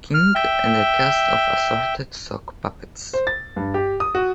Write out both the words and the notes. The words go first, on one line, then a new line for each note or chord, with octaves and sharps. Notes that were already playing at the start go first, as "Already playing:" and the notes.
King and a cast of assorted sock puppets.
F6
E5 G5
C5
A6
G2
G4
D#6
F#4